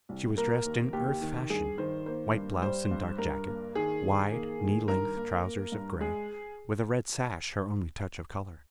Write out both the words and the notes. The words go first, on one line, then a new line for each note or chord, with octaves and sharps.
She was dressed in Earth-fashion--white blouse and dark jacket, wide, knee-length trousers of gray, with a red sash her only touch of color.
C2
A#3 A#4
D#2
D#2 G4
D#3
G2 G#4
D#3 C5
A#3 C5
G2
G3 C5
G2
G2 A#4
A#3
D#3 G#4
D#3
A#3
D#3
G2 A#4
A#3
A#3
G2
G#3 G#4